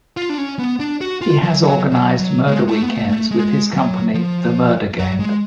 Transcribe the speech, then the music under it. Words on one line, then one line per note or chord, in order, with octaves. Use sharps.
He has organised 'murder weekends' with his company 'The Murder Game'.
F4
D4
C#4
B3
D4
F#4
F4
F#3
F#3
F#3
F#3
G#3
A3
B3
A3
A3
G#3
F#3
F3
F#3
G#3